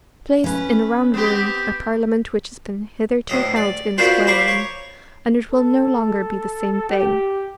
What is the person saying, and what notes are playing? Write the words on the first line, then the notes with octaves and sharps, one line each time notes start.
Place in a round room a parliament which has been hitherto held in a square room, and it will no longer be the same thing.
C#4 B4
B3 C4 G4
D2 A2 D#5
D5
A#3 B3 D4 F4 F#4 C5
C5 F5 A#5 B5 C#6 D6
C#5
A4
G4